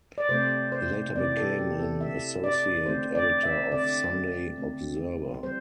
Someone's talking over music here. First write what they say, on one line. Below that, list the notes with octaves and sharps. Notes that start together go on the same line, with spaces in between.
He later became an associate editor of "Sunday Observer".
D5
C3 A3 C4 C5
C5
C3 E3 C4 D5
A4
G4
A4
E3 C4 E5
D5
D3 A3 C4 C5
D5
E5
D3 C4 D5
D3 A3 C4
E3 G3 C4 C5